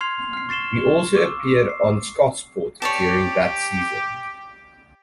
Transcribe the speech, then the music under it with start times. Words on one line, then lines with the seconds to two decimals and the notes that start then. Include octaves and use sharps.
He also appeared on "Scotsport" during that season.
0.01 C6 F6 G#6 C7 F7
0.33 F6 C7
0.49 C#6 A6 C7 E7 G7
1.15 C#6 D6 E6
1.69 C7
2.82 G4 C#5 D5 A5